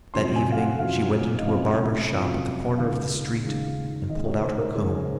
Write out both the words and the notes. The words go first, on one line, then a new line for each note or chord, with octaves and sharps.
That evening she went into a barber's shop at the corner of the street, and pulled out her comb.
F2 C3 F#3 C#4 C6
G#5
F5
F#5
F2 C3 F#3 C#4 F5
D#5
F2 C3 F#3 C#4 F5
F2 C3 F#3 C#4
D#2 C#3 G#3 F5
D#2 C#3 G#3
D#2 C#3 G#3 D#5
C#5
C5
A#4
D#2 C#3 G#3 G#4